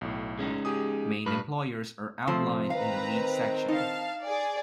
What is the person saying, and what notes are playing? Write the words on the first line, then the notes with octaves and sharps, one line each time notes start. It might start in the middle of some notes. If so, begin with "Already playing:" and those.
Main employers are outlined in the lead section.
B1 A2
G#3 C#4 D#4
G4 G#4 D#6
G2 B4 F6
C3 F3 A3 C4
D#3 C4 B4 F5 A#5
D#4 F5 A5
G#4 D5